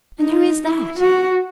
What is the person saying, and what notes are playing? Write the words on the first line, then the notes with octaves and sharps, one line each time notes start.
And who is that?
D#4
E4
F#4